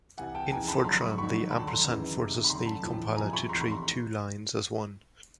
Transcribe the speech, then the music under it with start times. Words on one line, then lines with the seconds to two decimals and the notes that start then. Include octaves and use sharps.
In Fortran, the ampersand forces the compiler to treat two lines as one.
0.18 C2 C3 E3 F#5 G#5
0.35 G5 A5
0.51 F1 E2 C#3 E3 G#5 A#5
0.68 A5 B5
0.79 B5
0.84 F#1 F2 D3 F#3 A#5 C6
1.01 B5 C#6
1.18 A#1 G#2 D#3 F#3 B5 C#6
1.51 D#2 D3 F#3 A5 B5
1.67 A#5 C6
1.84 G#1 F#2 C#3 E3
2.17 C#2 C3 D#3
2.44 B5
2.50 F#1 F#2 D3 A#5 C6
2.66 A5 B5
2.83 A1 A2 F3
3.16 F#1 F2 C3 F3 G#5 A#5
3.33 B5 C#6
3.49 F1 E2 C3 A#5 C6
3.60 B5 C#6
3.72 A#5 C6